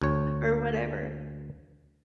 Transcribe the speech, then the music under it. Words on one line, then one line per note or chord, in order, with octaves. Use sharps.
or whatever."
D2 C#5